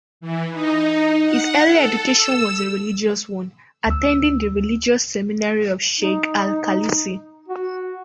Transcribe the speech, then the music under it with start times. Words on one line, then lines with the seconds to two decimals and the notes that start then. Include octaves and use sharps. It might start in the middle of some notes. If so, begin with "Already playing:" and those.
His early education was a religious one, attending the religious seminary of Sheikh Al-Khalisi.
0.21 E3
0.52 D#4
1.24 F#5
1.71 A4
2.14 E6
3.86 D2 E6
6.01 D#4
7.48 F#4